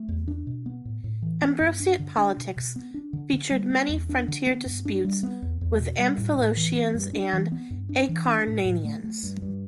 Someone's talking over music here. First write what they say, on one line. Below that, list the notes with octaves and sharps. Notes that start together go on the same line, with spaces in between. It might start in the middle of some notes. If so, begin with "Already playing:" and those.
Ambraciot politics featured many frontier disputes with the Amphilochians and Acarnanians.
Already playing: A3
E2
D4
B2
B3
A2
A2
E3
B3
G2
D4
D3
D4
B2
B2
B3
D4
D3
D3
G3
B3
E2
D4
D3
B3
G2
D4
G3
B3
E2
E2
B2
G3
A2
A2
E3
B3
G2
D4
E3
B3
G2
D4
E3
D4
A2
A2
A3
A3
G2
G2